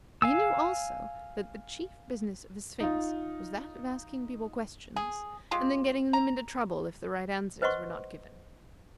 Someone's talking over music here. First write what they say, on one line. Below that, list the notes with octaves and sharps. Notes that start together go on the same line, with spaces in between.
He knew, also, that the chief business of a Sphinx was that of asking people questions, and then getting them into trouble if the right answers were not given.
F5 G#5 E6
D#4 F4
G#4
G#3 F4 G4
A#5
B4 C5 D#5 F#5 C6 C#6